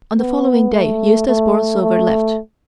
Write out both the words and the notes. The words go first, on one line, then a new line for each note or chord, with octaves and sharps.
On the following day Eustace Borlsover left.
B3
A3
A3
A3